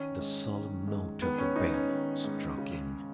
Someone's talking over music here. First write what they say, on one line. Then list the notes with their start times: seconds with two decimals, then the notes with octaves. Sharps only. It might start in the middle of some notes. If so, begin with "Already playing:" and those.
The solemn note of the bell struck in.
Already playing: D#3 C#4
0.19 G#2
0.54 D#3
0.88 G#2
1.22 D#3 B3
1.38 C#4
1.56 G#2 D#4
1.73 C#4
1.90 D#3
2.24 G#2
2.58 C#3